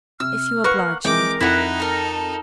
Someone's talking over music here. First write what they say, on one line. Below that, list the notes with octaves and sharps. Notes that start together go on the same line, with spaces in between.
"If you oblige me."
C3 E6 F6
A#3 B4 F#5 C#6
E3 G#3 C4 A#4 G5 D6
F2 D#4 E4 F#5
A4 A#4 A5